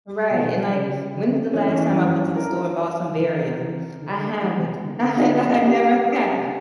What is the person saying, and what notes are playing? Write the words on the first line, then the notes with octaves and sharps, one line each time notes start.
Right, and like, when's the last time I went to the store and bought some barium? I haven't. I I never have.
B2
C#3
D3
E3 C#4
D4
E4
A#4
E3
E3
D3
E3
D3
G4